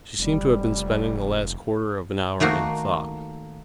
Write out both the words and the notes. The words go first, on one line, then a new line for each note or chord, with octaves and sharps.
She seemed to have been spending the last quarter of an hour in thought.
F1 G3
D#3 A3 A#3 F#4